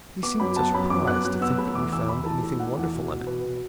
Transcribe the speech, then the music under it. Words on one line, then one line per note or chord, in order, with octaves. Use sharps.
He seemed surprised to think that we found anything wonderful in it.
B3 D6
F#2 B5
B3 A5
F#2 B5
F#2 D6
B3 F#6
F#2 F#6
B3 E6
A3 B5
E2 D6
E2 E6
E2 B5
E3 A5
A3
E3 F#5
E2
B2
B2
B2 B4
B2